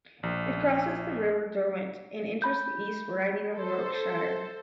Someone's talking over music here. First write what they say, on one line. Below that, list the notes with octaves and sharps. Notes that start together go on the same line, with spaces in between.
It crosses the River Derwent and enters the East Riding of Yorkshire.
A#1
B5 G6
A4 C5